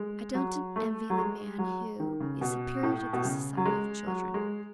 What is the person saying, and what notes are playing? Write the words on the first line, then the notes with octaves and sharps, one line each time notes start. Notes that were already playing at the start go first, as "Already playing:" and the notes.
I don't envy the man who is superior to the society of children.
Already playing: G#3
F#3
A3
F#3
G#3
F#3
D#3
C#3
B2
A2
B2
C#3
F#3
G#3
F#3
G#3